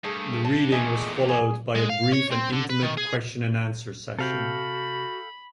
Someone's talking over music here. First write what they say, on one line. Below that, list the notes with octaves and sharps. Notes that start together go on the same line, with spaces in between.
The reading was followed by a brief and intimate Question and Answer session.
G2 A3 G#4
A5
E2 A#2 A3 G#4 D#5
G#4
G#3
F5
C#5
C4
D3
B4
D#3
G#4
C3 F#4 A4 F5 G5 B5